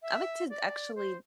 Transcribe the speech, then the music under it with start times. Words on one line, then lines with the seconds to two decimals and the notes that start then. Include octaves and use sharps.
I like to actually
0.03 E5
0.50 D5
0.96 C5